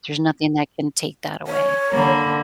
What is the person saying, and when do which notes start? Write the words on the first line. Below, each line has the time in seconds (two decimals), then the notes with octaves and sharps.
There's nothing that can take that away,
1.47 C#5
1.91 D3 A#3 B5